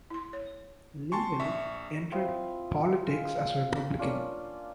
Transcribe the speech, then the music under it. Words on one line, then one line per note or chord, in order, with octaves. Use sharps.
Leibell entered politics as a Republican.
E4 C6
C#5
B3 G#5 A5 C6 C#6
A#1 E5 C#6
C4 E4 F4 D#5
G#3 F5
A#3 C#4 D4 F4